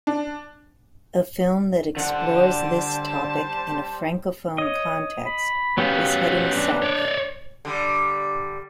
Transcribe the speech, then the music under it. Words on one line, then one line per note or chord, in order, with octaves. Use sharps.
A film that explores this topic in a Francophone context is "Heading South".
D4
D3 G3 C5 F#5 A5
C#5 D#5
B5
F#3 B3 C#4 G4 B4 F5
D4
C#5 D5
D3 G3